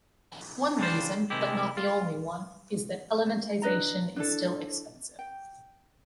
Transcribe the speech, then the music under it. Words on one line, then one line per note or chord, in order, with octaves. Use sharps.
One reason, but not the only one, is that elementization is still expensive.
C#3 G3 D4 F4 C5
C3 D#3 G#3 E4 G4
F4
D4 B4 D#5 A#5
D4 E4 A4
G5